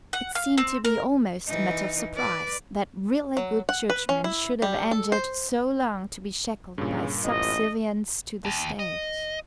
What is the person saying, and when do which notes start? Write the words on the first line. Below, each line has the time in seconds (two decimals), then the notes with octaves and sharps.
It seemed to be almost a matter of surprise that really good Churchmen should have endured so long to be shackled by subservience to the State.
0.13 F#5
0.35 F5
0.58 C4
0.85 A#4
1.47 E3 D#4
2.13 B4 D5
3.37 F#3
3.69 F#5
3.90 B4
4.09 C#4
4.24 E4
4.62 G3
4.91 A4
5.12 C5
6.78 G2 A#2 C#3
7.24 A1 D#5
8.45 D#2
8.79 D#5